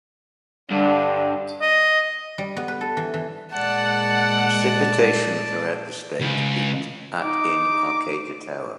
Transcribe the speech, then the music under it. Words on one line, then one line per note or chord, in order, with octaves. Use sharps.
Precipitation throughout the state peaked at in Arcadia Tower.
G2 D3
D#5
G3
B3
B4
A4
E3
E3
A#2 G#3 D5 F#5 A5
C#2
D#4 D6